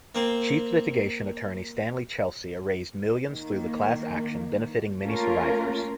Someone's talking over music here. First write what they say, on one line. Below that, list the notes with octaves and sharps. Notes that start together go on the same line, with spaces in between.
Chief litigation attorney Stanley Chesley raised millions through the class action, benefiting many survivors.
A#3 C4
D#3 A#3
A3 A#3 C#4 F4 A#4